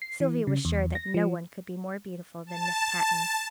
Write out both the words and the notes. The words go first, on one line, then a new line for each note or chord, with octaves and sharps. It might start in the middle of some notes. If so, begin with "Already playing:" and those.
Sylvia was sure that no one could be more beautiful than Miss Patten.
C7
E3
C#3
E2
A#6
F3
A5